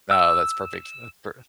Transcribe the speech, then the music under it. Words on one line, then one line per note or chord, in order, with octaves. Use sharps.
No, that's perfect, that's perfect
E6